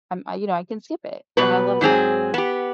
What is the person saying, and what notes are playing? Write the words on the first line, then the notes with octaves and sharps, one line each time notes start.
I'm, you know I can skip it, and I love that,
B2 G3 B3 B4
G#2 F#3 C4 G#4
B3 G4